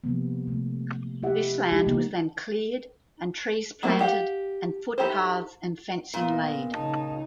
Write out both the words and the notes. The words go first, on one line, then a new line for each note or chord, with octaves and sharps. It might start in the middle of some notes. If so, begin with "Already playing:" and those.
This land was then cleared and trees planted and footpaths and fencing laid.
C3 F3 G3 A#3 B3
C3 A3
E4 G4 E5 F#5
G#3 D#4 G4 G#4
C#3 G3 A#3 B3
F#3 A3 A#3 C4 E4
G4 F5 F#5
D#4 E4 G4 A4 C5
A#2 B3
C#3 D#4 A5